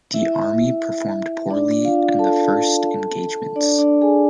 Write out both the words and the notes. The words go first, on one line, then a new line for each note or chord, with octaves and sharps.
The army performed poorly in the first engagements.
E4 E5
D4 D5
F4 F5
A4 A5
D4 D5
D4 D5
G#4 G#5